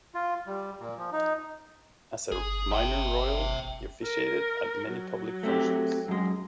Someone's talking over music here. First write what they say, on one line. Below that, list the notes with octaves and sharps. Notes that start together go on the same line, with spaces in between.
As a "Minor Royal", he officiated at many public functions.
F4
G3
A#2
F3
D#4
G1 G#4
E5 G5
F#1
A#4
F#3
A3 C4 G4
F#2 G#3